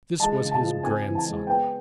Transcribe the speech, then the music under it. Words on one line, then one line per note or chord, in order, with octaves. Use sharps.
This was his grandson.
G#3 A5
C#3
A5
F3
C4 G#5
E3
A5
G#3
B3 G5